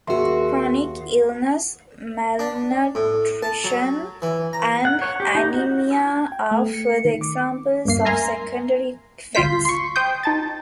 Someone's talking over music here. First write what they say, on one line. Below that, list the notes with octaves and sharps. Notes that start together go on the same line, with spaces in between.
Chronic illness, malnutrition, and anemia are further examples of secondary effects.
D#2 F#4 G#4 E5 C6
D4
A2
A5
F#3
E3
A#5
F#5
C#5
G4
D#4
F#4
G#6
G5
A3
C#7
D#3
D6
D2 G2 A#3 C7
A#4 E5 G#5 A#5 C6
G#1 D2 F4 C6 G6 B6
C6 C#6
C5 G5 D#6 G6
D#4 A5 A6